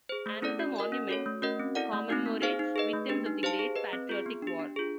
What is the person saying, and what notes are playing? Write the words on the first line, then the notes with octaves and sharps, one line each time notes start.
Another monument commemorates victims of the Great Patriotic War.
G#4 C5
A3
C#4 E4 A4 D5
F#4
A#4 D#5 G#5
C#4
F#4 A4 C#5
A3
C#4 F#4 A#4 D#5
C4
E4 A4 D5 F#5
A3
C4 D#4 F#4
A#3
D#4 G#4 C5 F5
D#4
G#4 B4 D#5
A3
D4 G4 B4
D#4
G4 C5 F5 A5
G#4
B4 D#5
C4
F4 G#4
B3
D4 G4
D4
F4 G#4